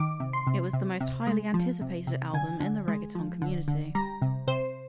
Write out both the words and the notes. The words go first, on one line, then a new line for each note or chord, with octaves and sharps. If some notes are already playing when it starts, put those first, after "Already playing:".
It was the most highly anticipated album in the reggaeton community.
Already playing: D#3 D6
C3
C6
C3
C3
C3
G#3
F3
C3
C3
D3 G#5
D3
G#3
F3
D3
D3
G3 A#5
C3
C3 C5